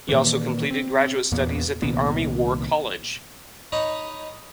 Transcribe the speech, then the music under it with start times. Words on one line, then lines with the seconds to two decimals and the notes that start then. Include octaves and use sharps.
He also completed graduate studies at the Army War College.
0.09 A#2 D#3 E3
0.71 C4
1.31 E2 A#2 A#3 B3
1.82 C2 A#2 D#3 B3
3.72 D#4 C#5 D#5 B5 D#6